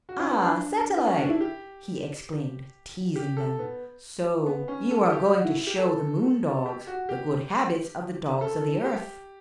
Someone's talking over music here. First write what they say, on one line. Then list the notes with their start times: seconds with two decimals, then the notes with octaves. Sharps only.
Ah, Satellite!" he exclaimed, teasing them; "so you are going to show the moon-dogs the good habits of the dogs of the earth!
0.09 F#4
0.19 C#4
0.31 B3
0.42 D4
0.97 B3
1.07 C#4
1.19 D4
1.29 E4
1.41 G4
3.16 G4
3.37 A4
3.59 B3
4.46 B3
4.68 C#4
4.91 A4
5.12 G4
5.34 F#4
5.45 E4
5.67 G4
5.78 A4
6.66 G4
6.87 F#4
7.09 G4
8.41 A4
8.84 G4